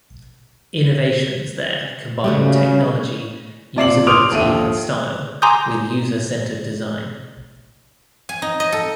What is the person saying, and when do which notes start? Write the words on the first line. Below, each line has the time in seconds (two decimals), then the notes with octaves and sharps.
Innovations there combine technology, usability and style with user centered design.
2.24 C#3 G3 A3 F#4
3.76 A#2 D5 C7 F#7
4.07 C6 D6 D#6 F6 D7 F7
4.32 A#1 D#2 A4 E5 D#7
5.42 G#5 A#5 C6 D6 D#6 G6
8.29 G#5
8.42 D#4
8.60 D#5
8.72 A4